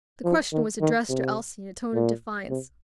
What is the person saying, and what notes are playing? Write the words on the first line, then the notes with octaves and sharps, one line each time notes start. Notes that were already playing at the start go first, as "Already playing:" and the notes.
The question was addressed to Elsie in a tone of defiance.
F3
D#3
D#3
C3
A#2
C3